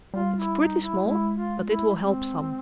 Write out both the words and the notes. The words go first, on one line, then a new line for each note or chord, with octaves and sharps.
"It's pretty small, but it will help some."
G3 F4
E4
D#4
E4
G#3 E4
F4
E4
C4